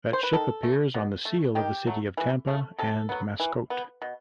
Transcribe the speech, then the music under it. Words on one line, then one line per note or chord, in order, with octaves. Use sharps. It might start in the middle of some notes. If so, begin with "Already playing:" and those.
That ship appears on the seal of the city of Tampa and Mascotte.
C5
B4
D#3 A4
A3
B2
A3
D#3 G4
F#3 A3
E3
A3
C3 A4
F#3 B3
E3
B3
B2